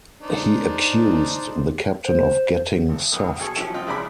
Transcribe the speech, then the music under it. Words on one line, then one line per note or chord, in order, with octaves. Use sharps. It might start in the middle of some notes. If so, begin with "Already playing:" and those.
He accused the captain of getting soft.
D4 D#4 C5
C5
G#1
B1 F2
B2 G#4 A4 C#6
F3 F#3 C#4 E4 G4 A4
C4 F4 D#5 G5
F2 C#3 E4 D5 B5